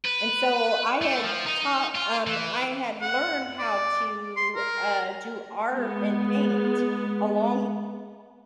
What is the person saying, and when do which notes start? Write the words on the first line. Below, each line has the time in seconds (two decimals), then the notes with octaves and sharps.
and so I had taught, um I had learned how to, uh, do art and paint a long,
0.05 B4
1.02 A3
1.24 F3
1.46 D#4
1.95 F4
2.27 E3
3.01 F#5
3.59 D5
4.36 C6
4.55 A#4
5.75 G#3 B3